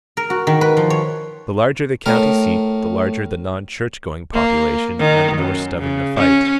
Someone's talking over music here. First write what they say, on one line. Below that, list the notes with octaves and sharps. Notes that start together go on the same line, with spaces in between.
The larger the county-seat, the larger the non-church-going population and the more stubborn the fight.
A#4
F#4
D#3
B4
F3
C#5
A2 A#4
A#3
D#3
F#2
C#3
C#4